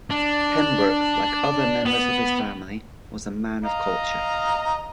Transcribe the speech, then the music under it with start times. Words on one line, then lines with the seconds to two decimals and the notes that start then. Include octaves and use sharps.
Pembroke, like other members of his family, was a man of culture.
0.10 D4
1.86 B3
3.64 D#5 F5 A#5